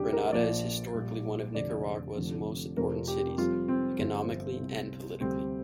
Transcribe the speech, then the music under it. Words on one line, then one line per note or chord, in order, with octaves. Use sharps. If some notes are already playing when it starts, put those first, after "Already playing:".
Granada is historically one of Nicaragua's most important cities, economically and politically.
Already playing: D2 C3 G3 D4 G4
A#4
A#1 A#2 F3 D5
A#1 A#2 G3
F1 F2 D3 F3 D5
F1 F2 D3 F3
F1 F2 C3 F3 A#4
G4
F2 C3 G3 F4
C4
G1 G2 F3 C4
C2 C3 G3
D2 C3 G3 C4